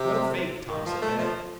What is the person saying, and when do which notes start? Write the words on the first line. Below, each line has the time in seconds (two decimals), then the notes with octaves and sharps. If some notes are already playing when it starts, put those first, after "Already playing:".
"NO FAKE," Tom sent back.
Already playing: C3
0.69 D#3
0.86 F3
1.02 A3
1.19 F3